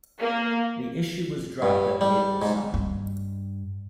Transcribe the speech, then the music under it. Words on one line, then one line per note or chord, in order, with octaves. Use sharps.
The issue was dropped at the April summit.
A#3
G2
G3
G#2
G2